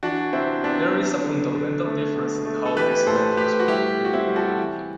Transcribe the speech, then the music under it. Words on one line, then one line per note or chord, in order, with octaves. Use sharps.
There is a fundamental difference in how a diesel engine works.
E3 D4 F#4
C3 C4 E4
C3 B3 D4
F#3
D3
D3
A3
B2
A3
A4
E3 G4 B4
A2 A4 C5
A2 G4 B4
F#4
G3 E4 G4
B2
F#4
C4 E4
G3
F#4 A4
E3